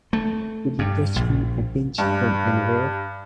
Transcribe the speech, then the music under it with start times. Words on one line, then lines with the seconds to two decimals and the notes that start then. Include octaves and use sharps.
Could you fetch me a pinch from anywhere?
0.13 A3
0.79 G2
1.16 A#1
1.98 G2